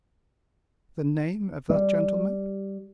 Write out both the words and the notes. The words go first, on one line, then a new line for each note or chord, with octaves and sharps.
"The name of that gentleman?"
G3